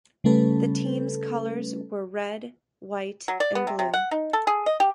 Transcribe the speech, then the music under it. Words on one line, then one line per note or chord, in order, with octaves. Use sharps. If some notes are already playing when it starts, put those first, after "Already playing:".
The team's colors were red, white and blue.
C#3 G3 A3 C#4 A4 B4
F#3
D5
B3
C3
C3
F#5
D#4
A4
G#4
D#5
G4